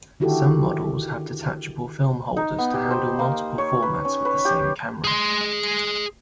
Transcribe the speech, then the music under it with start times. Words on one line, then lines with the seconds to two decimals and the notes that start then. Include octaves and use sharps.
Some models have detachable film holders to handle multiple formats with the same camera.
0.20 D3 D#3 E4 F#4 G4 A4
2.37 D#4
2.59 B3
2.74 G4
2.91 C5
3.19 A#3
3.58 C#5
3.82 B4
4.05 C#4
4.25 B4
4.45 G4
5.04 G#4 C6